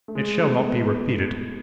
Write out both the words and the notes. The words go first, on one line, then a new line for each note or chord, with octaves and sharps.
'It shall not be repeated.
A3
G#3
A3
B3